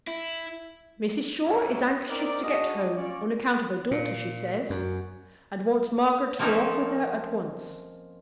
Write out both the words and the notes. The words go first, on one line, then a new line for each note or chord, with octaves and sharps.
Mrs. Shaw is anxious to get home--on account of her daughter, she says--and wants Margaret to go off with her at once.
E4
G2 B2 C#4 D4 E4
C4 D#4 A#4 D5
D4 F#4 G#4 D#5
C#4 F4 C#5 D5
A#2
F#2
F3 A#3 C4 C#4 D#4 E4